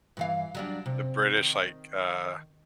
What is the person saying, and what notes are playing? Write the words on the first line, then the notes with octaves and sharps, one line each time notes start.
the British, like, uh,
G2 E3 F5
F#3 G3 D4
C3
D#3